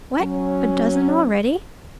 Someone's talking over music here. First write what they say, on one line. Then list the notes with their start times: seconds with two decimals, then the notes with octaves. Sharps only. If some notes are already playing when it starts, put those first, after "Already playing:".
What! a dozen already?
0.20 F#3 C#4